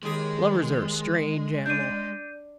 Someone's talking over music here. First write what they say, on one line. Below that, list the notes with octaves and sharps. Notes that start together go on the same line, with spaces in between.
Lovers are a strange animal.
D#2 D#3 G#3 G4 G#4
D4 G6 D#7